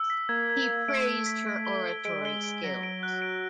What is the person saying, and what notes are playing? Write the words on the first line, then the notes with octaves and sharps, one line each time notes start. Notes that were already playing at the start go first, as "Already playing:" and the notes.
He praised her oratory skills.
Already playing: E6
B6
A#3 G#6
G#6
G#6
A3 D7
D7
B6
D7
G7
D7
G#3 D7
G3
G#3 G7
D7
F#3 A#6
D7
F#6
D7